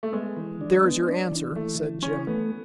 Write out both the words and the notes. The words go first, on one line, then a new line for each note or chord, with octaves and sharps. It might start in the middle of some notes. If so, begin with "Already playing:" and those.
"There's your answer," said Jim.
A3
G#3 B3
E3
D4
B3
D4
E3
E3 A3
E3
E3 C#4
A3 B3